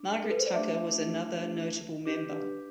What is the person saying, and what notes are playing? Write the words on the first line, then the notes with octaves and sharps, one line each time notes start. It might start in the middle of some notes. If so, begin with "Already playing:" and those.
Margaret Tucker was another notable member.
Already playing: D4
A4
B4
C5
D5
A3 D4 G4 B4 E5
D4 G4 B4